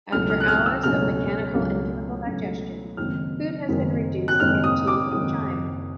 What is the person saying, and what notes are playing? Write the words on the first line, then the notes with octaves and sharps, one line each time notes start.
After hours of mechanical and chemical digestion, food has been reduced into chyme.
C#2 B2 F#3 A3 C#4 F6
F6
F#6
F6
E6
C#2 B2 F#3 A3 C#4 F6
C#2 B2 F#3 A3 C#4
C#2 B2 F#3 A3 C#4
F#1 F#2 D#3 G#3 C4 F6
F#1 F#2 D#3 G#3 C4
F#6
F#1 F#2 D#3 G#3 C4 F6
D#6
D6
F#1 F#2 D#3 G#3 C4 D#6